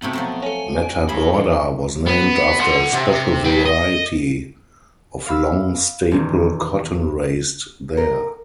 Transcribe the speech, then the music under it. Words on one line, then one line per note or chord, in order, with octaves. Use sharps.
Matagorda was named after a special variety of long-staple cotton raised there.
C3 A3 B3 D#4 F#4
F3 F#3 A3
A4 C#5 G#5
D7
A2 G#4 E5 B5
E3 A4
B3
F#5 C6
C3
B4 G5
D#5
F5 B5 E6
E1 D#3
A#4